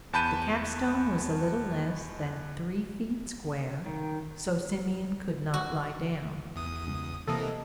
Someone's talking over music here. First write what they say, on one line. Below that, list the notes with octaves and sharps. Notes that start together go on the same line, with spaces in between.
The capstone was a little less than three feet square, so Simeon could not lie down.
E2 A5 B5 G6 D#7
D#3
F#4
E2 D#6
C#2
C3 E3 A#3 A4 D#5